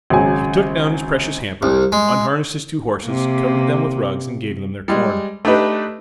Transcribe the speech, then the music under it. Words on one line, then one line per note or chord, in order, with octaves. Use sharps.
He took down his precious hamper, unharnessed his two horses, covered them with rugs and gave them their corn.
G#1 C#3 F#3 G#5
C2
G#3
C3 A#3
G3 G#3
A3 D4 D#4 G4 B4